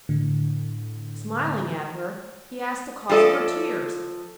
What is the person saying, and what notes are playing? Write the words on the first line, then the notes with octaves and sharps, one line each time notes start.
Smiling at her, he asked the cause of her tears.
A2 D3
F3 F#3 A4 D5 D#5